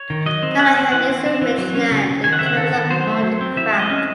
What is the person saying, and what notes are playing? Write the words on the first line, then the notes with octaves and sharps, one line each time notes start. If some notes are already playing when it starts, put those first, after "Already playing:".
Kalahandi is a rich land in terms of art and craft.
Already playing: C#5
D#3
F#3 D#5
C4
C4 F#5
C4
E3 F#5
C4
C4
E3
F#3
C#4
C#3
C#3
D#3 G#5
F#5
C4 E5
F#5
D#3 A4
D#3
F#3 C5
A3
F#3
C4
E3 E5
G#3
D#5
C#4